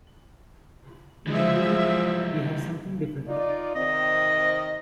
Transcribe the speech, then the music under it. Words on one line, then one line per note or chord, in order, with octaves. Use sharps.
In between we have something different.
E3 F3 G3 G#3 E5
D#4 F4 D5
C3 D#3 C4 D#5